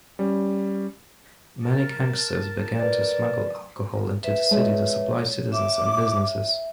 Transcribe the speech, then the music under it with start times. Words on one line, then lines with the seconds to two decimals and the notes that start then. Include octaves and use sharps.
Many gangsters began to smuggle alcohol into the city to supply citizens and businesses.
0.19 G3 C#4
1.63 A#4 A5
2.79 B4 D5
4.23 B4 E5
4.51 G#3 C#5 A5
5.52 E5 D6